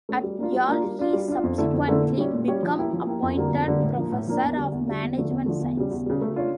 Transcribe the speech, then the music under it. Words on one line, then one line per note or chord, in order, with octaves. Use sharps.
At Yale he subsequently became appointed Professor of Management science.
A3 C#4
G3
A#3 D4 F4
G3
A#3 D4 F4
G3
D4 F4
G3
D4 F4
F2
D3 A3 E4 A4
F2
D3 A3 E4 A4
A#2
G3 C#4 G4 C#5
A#2
G3 C#4 G4 C#5
F3
A#3 E4 G4
F3
A#3 E4 G4
F2
D3 G3 A#3
F2
D3 G3 A#3
A2
F3 A#3 D4
A2
F3 A#3 D4
E2
D3 G3
E2
D3 G3
E2
D3 F3 A3
E2
D3 F3 A3
E2
C#3 G3
E2
C#3 G3
A3
D4 F4 C#5